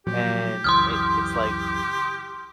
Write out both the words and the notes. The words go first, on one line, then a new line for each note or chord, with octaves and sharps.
And it it’s like
A#2 F3 F#3 G4
C#2 F#2 E3 C6 D#6 F6